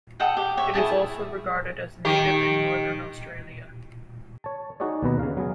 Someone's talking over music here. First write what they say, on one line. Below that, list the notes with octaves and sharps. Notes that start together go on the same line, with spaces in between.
It is also regarded as native in northern Australia.
A4 D#5 F#5 G5
G4
C#5 E5
E4 F4 G#4 A5
D#3 G4
C#5 A5
D#4 F#4 G#4 C#5 D5
D#2 B2 B4 A#5
C#3 F5
F#3 G#4